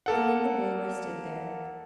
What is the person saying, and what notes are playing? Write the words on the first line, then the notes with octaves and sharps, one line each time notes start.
He and the bull rested there.
A#3 A4 F#5